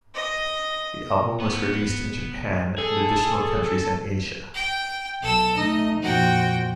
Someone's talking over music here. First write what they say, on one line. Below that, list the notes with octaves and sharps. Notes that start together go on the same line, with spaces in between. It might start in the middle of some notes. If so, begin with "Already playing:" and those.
The album was released in Japan and additional countries in Asia.
D#5
B3
G#4 A4
G5
B1 A4 E6
A3 D#4 D#5
F2 A#2 F#4 G5